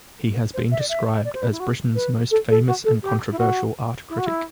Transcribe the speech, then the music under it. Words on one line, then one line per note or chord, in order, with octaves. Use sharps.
He has been described as "Britain's most famous and controversial art critic".
C5
E5
D5
E5
D5
C5
B4
E4
F#4
B4
A4
A4
F#4
A4
G4
E4
F#4
E4
F#4
E4